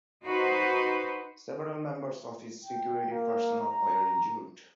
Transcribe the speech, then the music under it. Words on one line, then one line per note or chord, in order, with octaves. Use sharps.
Several members of his security personnel were injured.
D#4 F#4 B4 C5
G5
A#3
A#5